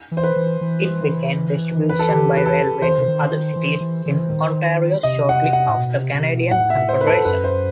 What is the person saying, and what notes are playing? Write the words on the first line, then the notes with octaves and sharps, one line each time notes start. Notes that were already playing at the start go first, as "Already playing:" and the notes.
It began distribution by railway to other cities in Ontario shortly after Canadian Confederation.
E3
C5
B4
E3
E3
B4
A4
G4
B4
A4
E3 C5
D#3
C3
D#3
E3
E3
E3
D#3
C3 D#5
F#5
F#5
A2
B2
C3
C3
B2
A2 F#5
E5
C5
B4
A4
F#2 B4
C5